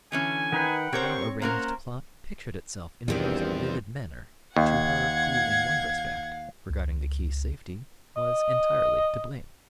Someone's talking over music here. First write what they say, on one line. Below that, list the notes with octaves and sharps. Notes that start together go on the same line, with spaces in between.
The well-arranged plot pictured itself in a most vivid manner to her who in one respect, regarding the key's safety, was entirely to blame.
D3 E3 C#4 G#5
D#3 D#4 B4 F#5 G5
C4 G4 A#4 C5 C#5 C#6
A#3 C#4 A#4 C5 F#5 A#5
E2 G2 D#3 F3 G3 C4
D#2 F5 F#5 G#6
C#2
D#5